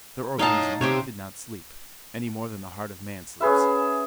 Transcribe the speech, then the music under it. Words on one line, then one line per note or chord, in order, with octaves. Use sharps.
Their organisms did not sleep, any more than the heart of man sleeps.
D#4 C#5 F5 G5 A5
C3 G4 C5 C#5
C#4 G#4 B4 E5